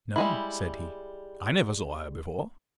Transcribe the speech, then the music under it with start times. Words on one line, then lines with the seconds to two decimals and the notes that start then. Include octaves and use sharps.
No, said he, I never saw her before.
0.16 G3 G#3 E4